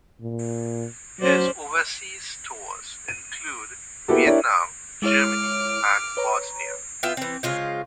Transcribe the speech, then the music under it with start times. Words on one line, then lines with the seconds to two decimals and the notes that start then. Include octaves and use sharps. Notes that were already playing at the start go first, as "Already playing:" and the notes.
His overseas tours include Vietnam, Germany and Bosnia.
0.22 A#2
1.20 F#3 C#4 C5 D5
3.08 D#7
4.08 A#3 B3 E4 F#4 G4 A4
4.26 D4 E4 G4 A#4 C#5 D5
5.02 G#3 E4 C#5 D6 F6
6.17 B4 C#5 A#5
7.03 B3 F4 E5 G5
7.17 E3 C4
7.43 C#3 G#3 F4 C5